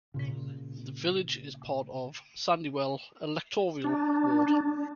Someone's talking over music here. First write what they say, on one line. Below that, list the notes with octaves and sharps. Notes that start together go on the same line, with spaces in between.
The village is part of 'Sandywell' electoral ward.
A#2 C#3
D4